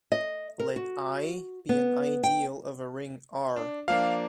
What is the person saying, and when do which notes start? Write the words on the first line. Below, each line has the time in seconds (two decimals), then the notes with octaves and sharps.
Let "I" be an ideal of a ring "R".
0.12 D#5
0.60 A#4
0.76 F#4
1.69 B3
2.23 G5
3.56 D4
3.88 F3 A#3 D4 F5